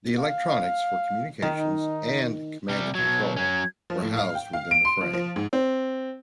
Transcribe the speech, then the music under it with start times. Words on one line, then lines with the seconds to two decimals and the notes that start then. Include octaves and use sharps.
The electronics for communications and command and control were housed within the frame.
0.18 F5
1.42 D#3 D#4
2.69 C3 G3
2.95 B2 F#3 G#6
3.37 F#3 C#4 G#6
3.90 F3
4.02 A2
4.17 F5
4.35 G5
4.53 F5
4.71 D7
4.85 C6
5.01 F3
5.13 F3
5.36 G#2
5.53 C4